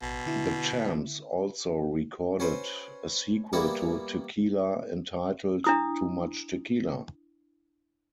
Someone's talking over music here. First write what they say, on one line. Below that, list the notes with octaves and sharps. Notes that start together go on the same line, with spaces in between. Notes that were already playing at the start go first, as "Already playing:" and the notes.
The Champs also recorded a sequel to Tequila entitled "Too Much Tequila".
A1 B2
D3 E4
C#4 F#4 B4 C5
G3 A#3 B3 E4 F#4
D4 E4 D#6